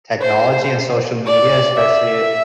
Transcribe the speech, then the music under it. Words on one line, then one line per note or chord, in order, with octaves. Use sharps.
technology and social media, especially, uh,
C5
D5
E5